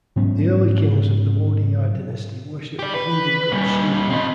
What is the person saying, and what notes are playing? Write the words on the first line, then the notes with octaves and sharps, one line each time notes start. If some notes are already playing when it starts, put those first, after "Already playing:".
The early kings of the Wodeyar dynasty worshipped the Hindu god Shiva.
G#2 F#3 B3 C#4
G4 D5
B4
A#2 G3
C4 D#5